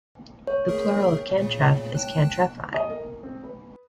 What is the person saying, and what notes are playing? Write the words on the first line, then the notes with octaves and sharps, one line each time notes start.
The plural of "cantref" is "cantrefi".
C#5
A3 G#4 A#4
A#2 C#3
G5 A5 F#6
D#5
A#4
C4
B4